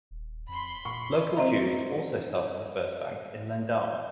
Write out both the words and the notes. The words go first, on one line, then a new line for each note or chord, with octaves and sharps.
Local Jews also started the first bank in Lendava.
D#1
F2 B5 C6
A#2 C#6
C4 C5 D#5 E5 A#5